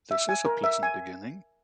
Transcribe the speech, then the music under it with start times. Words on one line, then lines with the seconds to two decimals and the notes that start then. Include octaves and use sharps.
This is a pleasant beginning.
0.11 E5
0.29 G#5
0.46 A#4
0.64 E5
0.83 G#5